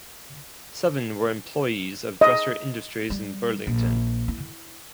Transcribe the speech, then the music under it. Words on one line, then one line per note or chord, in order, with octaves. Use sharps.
Seven were employees of Dresser Industries in Burlington.
D#5
G3
A#1
E4